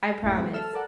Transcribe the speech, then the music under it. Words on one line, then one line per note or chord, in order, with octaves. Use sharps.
I promise.
A1 F#2 A3 A#3 E4
E3 F#3 G#3 C4 E4
A4 E5 E6 F6
A4 A#4 D5 F#5